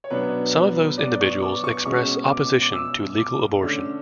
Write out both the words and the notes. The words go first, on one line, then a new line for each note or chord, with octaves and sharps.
Some of those individuals express opposition to legal abortion.
C#5
B2 F#3 B3 D4 B4
D5
C#6
D6
C#6
B2 G#3 C#4 C#6
D6
D6
E6
D6
D3 A3 C#4